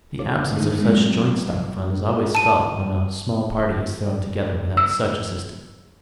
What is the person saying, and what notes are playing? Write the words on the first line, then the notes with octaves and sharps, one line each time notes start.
The absence of such joint-stock fund is always felt when a small party is thrown together without such assistance.
F4 A4 C#5 D5 D6
D3 D#3 A3 D#4 G#4
G#3 A3 B3 A#4 G#5
F#3 G#3 A3 C4
C3 F3 F#3
A5 D#7
E6